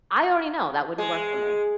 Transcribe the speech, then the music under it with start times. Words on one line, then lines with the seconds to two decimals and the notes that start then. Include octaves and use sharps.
I already know that wouldn't work for me.
0.98 G#3